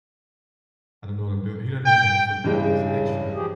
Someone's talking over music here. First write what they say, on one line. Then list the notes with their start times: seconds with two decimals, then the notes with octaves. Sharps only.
I don't know what I'm doing, you know what I mean? I just look it's extra.
1.86 G5
2.44 G2 C#3 E3 G#3
3.34 F3 G4 G#4